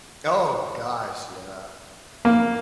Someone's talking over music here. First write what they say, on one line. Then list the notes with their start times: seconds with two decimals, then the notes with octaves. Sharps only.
Oh, gosh, yeah.
2.25 A#3